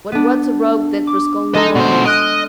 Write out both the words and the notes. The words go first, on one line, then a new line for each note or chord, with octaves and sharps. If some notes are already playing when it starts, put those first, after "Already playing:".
But what a rogue that Raskolnikov is!
B3 D4
D6
G#3 A4 D#5 A#5
B2 C5
D#5 F6 F#6 D7